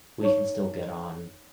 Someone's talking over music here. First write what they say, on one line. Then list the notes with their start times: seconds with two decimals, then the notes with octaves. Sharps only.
we can still get on
0.21 D#4 C#5 C#6